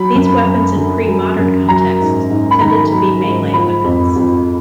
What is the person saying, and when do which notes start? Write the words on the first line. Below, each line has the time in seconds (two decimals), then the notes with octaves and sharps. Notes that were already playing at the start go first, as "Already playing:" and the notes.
These weapons in pre-modern contexts tended to be melee weapons.
Already playing: F#3 B5
0.15 F#2
0.45 F#2
0.76 D3
1.07 F#3
1.39 F#2
1.69 F#3 A#5
2.00 G#2
2.30 G#2
2.51 B5
2.61 D#3 A#5
2.93 F#3
3.24 G#2
3.54 F3 B5
3.84 F2
4.16 F2